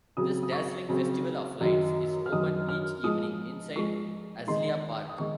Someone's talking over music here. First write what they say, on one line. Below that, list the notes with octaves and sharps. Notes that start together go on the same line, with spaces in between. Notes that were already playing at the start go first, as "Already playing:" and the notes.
This dazzling festival of lights is open each evening inside Azalea Park.
C#3 F#3 C4 D#6
D#6
C#6
C#3 F#3 C4
F#2 D#3 F#3
F6
F#2 D#3 F#3 D#6
F6
G#2 F3 G#3 D#6
G#2 F3 G#3 C#6
D#3 G#3 D#4 C6
D#6
D#3 G#3 C#6